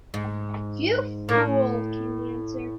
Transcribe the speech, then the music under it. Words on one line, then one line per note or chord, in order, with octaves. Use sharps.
"You fool," came the answer.
G#2
A2 A#3